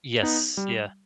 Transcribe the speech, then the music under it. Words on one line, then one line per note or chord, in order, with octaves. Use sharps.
Yes. Yeah.
B3 D#4
G3